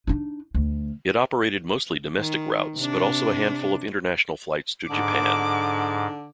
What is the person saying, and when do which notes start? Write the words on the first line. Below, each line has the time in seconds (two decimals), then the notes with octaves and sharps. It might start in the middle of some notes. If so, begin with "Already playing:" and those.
It operated mostly domestic routes but also a handful of international flights to Japan.
0.07 D4 D#4
0.55 D2
2.18 D#3
2.77 C3 D4
4.90 G#2 D3 D6